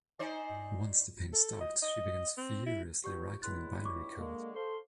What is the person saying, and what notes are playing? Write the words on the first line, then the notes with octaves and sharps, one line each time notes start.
Once the pain starts she begins furiously writing in binary code.
D#4 C5 D5 G#5
A4
D#5
D#5
C4
E4
G2 F#3 G4 C#6 G6
C#2 G2 E4 C6 F#6 A6
C#6 D6
D3 G#3 A#3
A4 C5 F5 C6